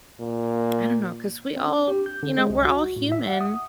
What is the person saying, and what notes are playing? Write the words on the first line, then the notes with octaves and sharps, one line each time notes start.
I don't know, 'cause we all you know, we're all human.
A#2
C4
D4
G4
G6
D3
G#3
C2
F#4
A2
E5
F#5
D#6